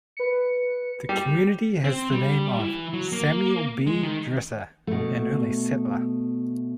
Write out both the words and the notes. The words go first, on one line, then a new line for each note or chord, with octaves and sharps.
The community has the name of Samuel B. Dresser, an early settler.
B4 C#7
G3
C4
G3
E3
F#3
A#3
G#3
D#3
B2 A3